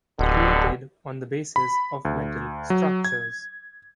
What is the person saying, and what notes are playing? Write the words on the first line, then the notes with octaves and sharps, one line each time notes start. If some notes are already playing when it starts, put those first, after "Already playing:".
Created on the basis of metal structures.
D1 B2 D3 G3
B5
D2
F#3
G#6